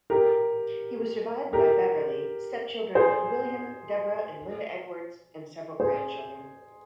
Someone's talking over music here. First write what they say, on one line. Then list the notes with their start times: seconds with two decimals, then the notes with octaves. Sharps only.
He was survived by Beverly, stepchildren William, Deborah and Linda Edwards, and several grandchildren.
0.10 G4 A#4
1.53 G4 A#4
2.95 G#4 C5
5.80 G#4 C5